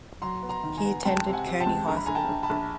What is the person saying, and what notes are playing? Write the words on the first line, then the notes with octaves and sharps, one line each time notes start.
He attended Kearny High School.
F#3 A#5 C6
B3
A#5 C6
D#3
G#5 A#5
B3
C#2 G5 A5
C3
F#5 G#5
C3
G5 A5
C#2
A#1 A#5
B5
A#1 G#5 A#5
G5 A5
A#1
A5 B5
A#1